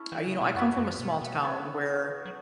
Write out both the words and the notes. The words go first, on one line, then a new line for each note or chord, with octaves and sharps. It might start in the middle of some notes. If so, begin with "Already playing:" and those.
uh, you know, I come from a small town where,
Already playing: C#4 E4 A4
E3
C#3
B2
F#2 B3 F#4 C#5 E5
F#2
B2
B2
C#3 B3 A4 C#5
F#3